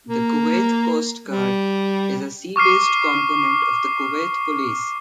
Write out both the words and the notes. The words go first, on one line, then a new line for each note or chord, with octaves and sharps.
The Kuwait Coast Guard is a sea based component of the Kuwait Police.
A#3
G3
C#6 D6 F6 C7